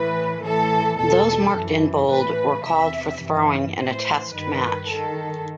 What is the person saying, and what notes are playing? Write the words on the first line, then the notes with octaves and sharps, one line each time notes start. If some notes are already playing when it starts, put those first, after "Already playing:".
Those marked in bold were called for throwing in a Test match.
Already playing: A2 E3 B4
A2 E3 A4
E2 B2 A4
F#2 E3
A2 E3 B4
E2 C3 E3 E5
G2 E3
A2 E3 C5
G2 D#3 B4
G2 D#3 A4